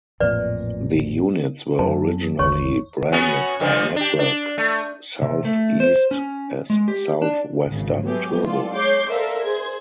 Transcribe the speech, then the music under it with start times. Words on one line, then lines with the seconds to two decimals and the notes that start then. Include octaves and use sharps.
The units were originally branded by Network SouthEast as South Western Turbo.
0.20 A1 F2 A#2 B4 D5
1.79 F#2 A5
2.39 G1 D#2 C#5 C#6
3.12 B3 C#4 F#4
3.60 G2 D3 F3
3.96 D4 G4
4.19 D4
4.58 A3
5.22 C3
5.45 A3
5.80 C5
6.11 C#4
6.70 G#3
6.88 G4
7.22 D4
7.67 G#1 C#3
8.03 F#3 G#3 A3 B3 G4 G#4
8.44 F4 A4 D5
8.75 G#3 C#5 D6 G6 C7
9.09 A4 A#4 C5 D5 E5 F5
9.42 G#4 C5 G#6